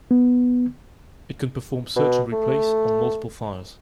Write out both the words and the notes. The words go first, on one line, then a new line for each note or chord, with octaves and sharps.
It can perform search and replace on multiple files.
B3
B2
A3